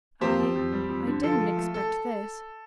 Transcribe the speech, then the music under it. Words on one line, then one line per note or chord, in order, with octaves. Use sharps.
I--I--didn't expect this.
F2 G4 C5
F2
F2
G3
F2
D3
F3 A4
F3
A3
A4